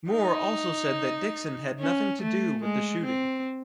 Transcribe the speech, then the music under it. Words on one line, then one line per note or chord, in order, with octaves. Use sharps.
Moore also said that Dixon had nothing to do with the shooting.
D#4
C#4
A3
G#3
C4